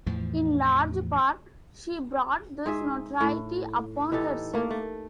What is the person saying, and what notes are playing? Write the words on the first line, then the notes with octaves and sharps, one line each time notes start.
In large part, she brought this notoriety upon herself.
E2 A2 E3 F3
G#2 G#4 E5
A2
E3 D#4 G4 A4
A3 A#3
A3